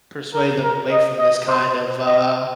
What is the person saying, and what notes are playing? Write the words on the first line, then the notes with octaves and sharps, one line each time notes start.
Persuade them away from this kind of, uh
A#4
A#4
D#5
D#5
C5
D#5